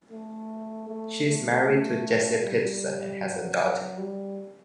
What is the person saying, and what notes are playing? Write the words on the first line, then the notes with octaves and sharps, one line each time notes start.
She is married to Jesse Peterson and has a daughter.
A3
A3
A3
A3
G3
F#3
G3